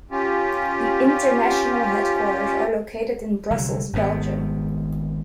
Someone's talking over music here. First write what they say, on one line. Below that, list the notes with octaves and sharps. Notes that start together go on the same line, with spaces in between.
The international headquarters are located in Brussels, Belgium.
C#4 F4 G4
C2 D3 F#3
G#1 G#2 B2 B3